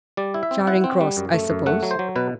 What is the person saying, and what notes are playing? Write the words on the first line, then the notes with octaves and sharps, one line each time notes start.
"Charing Cross, I suppose!"
G3 D5
E4
E5
C4
E4 F#5
C4
G3
F#2
A3
F#2
A3 F#5
F#3
C5
F#3
B2 B4